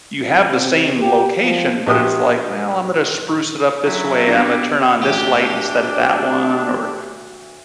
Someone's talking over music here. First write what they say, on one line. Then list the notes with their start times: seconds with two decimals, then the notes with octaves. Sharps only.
you have the same location, but it's like, "Well, I'm gonna spruce it up this way. Imma turn on this light instead of that one." Or
0.18 F2
0.49 C3
1.00 G4
1.41 F3
1.86 A#1 G4 D#6
3.83 F#2 F#3 E4
4.27 C3 E3 G3 B3 D4 A#6
5.03 A1 D2 D4 G4